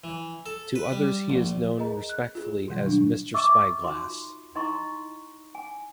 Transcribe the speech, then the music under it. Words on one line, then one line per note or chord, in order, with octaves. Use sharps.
To others he is known respectfully as 'Mr Spyglass.
E3
A4
B4
G3
A#1
G#4 A#4 D#5 A#5
F#6
F4 G#4
B2 D#3 F#3 G3
D4
D#5 E5 C#6 D6 E6
D#4 F4 F#4 C6
D#4 E4 D#5 A#5 C6 C#6
G#5